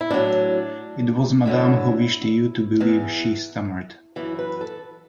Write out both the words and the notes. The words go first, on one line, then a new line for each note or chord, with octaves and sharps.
"It was madame who wished you to believe," she stammered.
E4
A2 F#3 D4
D2 D3 F#3 E4
E2 E3
F#2 E3 E4
B4
A4